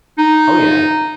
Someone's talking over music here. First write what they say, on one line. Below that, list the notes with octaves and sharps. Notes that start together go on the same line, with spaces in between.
Oh, yeah.
D#4